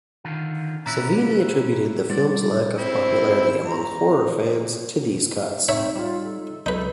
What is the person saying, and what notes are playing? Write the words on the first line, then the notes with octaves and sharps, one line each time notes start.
Savini attributed the film's lack of popularity among horror fans to these cuts.
D3 D#3 F4
A#2 C#4 E4 A#5 E6 F#6
G3 D5 A6
C4 E4
A#5
A2 C4 D#4 C#5 E5
G3 F4
A4
C#2 F#3 D#4 A4 B4